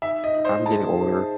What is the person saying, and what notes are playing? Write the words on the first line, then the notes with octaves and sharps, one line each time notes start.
I'm getting older,
D#4 E5
D#5
D#4
C5
G#4 A5
C5